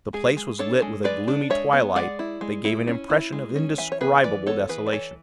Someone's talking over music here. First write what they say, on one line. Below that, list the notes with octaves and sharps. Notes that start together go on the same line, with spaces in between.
The place was lit with a gloomy twilight that gave an impression of indescribable desolation.
G#3 G#4
G#3
D4 A4 C#5
G#3
G#3 B4 D5
D4
G#3 C#5 E5
B3
G#3 D5 F#5
E4
G#3
E4
C#4
E4
G#3
C#4
E3 E5 G#5
C#5
B3 G#4 B4
E3 B4 D5
B3 A4 C#5
E3 G#4 B4
D5
E3 A4 C#5